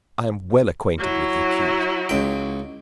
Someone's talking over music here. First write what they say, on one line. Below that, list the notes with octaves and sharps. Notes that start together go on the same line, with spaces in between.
I am well acquainted with the accused.
F#3 E4
C#2 G5